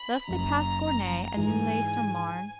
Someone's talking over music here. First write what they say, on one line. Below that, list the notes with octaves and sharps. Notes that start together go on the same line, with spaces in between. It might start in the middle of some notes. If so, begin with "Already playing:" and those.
Thus they passed Gournay and Neuilly-sur-Marne.
Already playing: B5
F#1 F#2 C#3 A#5
G#2 E3 G#3 D#4 G#4 G#5